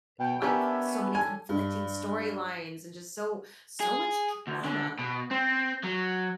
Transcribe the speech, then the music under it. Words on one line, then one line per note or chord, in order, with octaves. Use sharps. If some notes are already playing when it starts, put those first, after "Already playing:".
eh, like, so many conflicting storylines and just so, so much drama.
B2 G5
B3 C#4 D4 G4 A#4 E5
A4 G5 G#5
G2
G#4
D2
D3
B2
C4
F#3